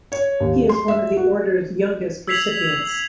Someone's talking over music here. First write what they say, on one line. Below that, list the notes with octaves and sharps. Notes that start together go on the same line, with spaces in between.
He is one of the Order's youngest recipients.
C#5
D#2
C6
E5
F#4
E6 G#6 B6 C7 F7 F#7